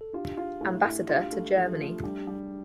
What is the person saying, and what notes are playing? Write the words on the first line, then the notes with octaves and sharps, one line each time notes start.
Ambassador to Germany.
A4
D4 F4 G4
F4
A2
A2
D4 F4 G4
A3
F3 F4 A4
A3
G3 D4 G4
G3